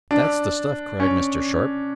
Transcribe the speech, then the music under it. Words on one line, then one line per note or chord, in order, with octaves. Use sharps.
"That's the stuff!" cried Mr. Sharp.
D4
C#4